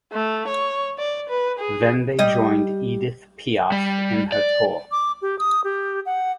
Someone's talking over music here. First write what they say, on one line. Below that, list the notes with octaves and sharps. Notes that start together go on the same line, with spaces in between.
Then they joined Edith Piaf in her tour.
A3
C#5
D5
B4
G#4
G3 D#5
G3
D5
D6
G4
D#6
G4
F#5